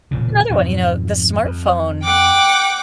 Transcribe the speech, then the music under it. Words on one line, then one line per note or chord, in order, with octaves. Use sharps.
another one, you know, the smartphone,
E1 A#2 C#3
F2 G#2 B2
F2
F#5 G5 D6